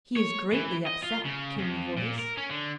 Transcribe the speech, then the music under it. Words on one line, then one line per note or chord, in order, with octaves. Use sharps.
"He's greatly upset," came the voice.
C#5
E3
D#5
F4
C#3
F2
A#2
A#4
C#4
D3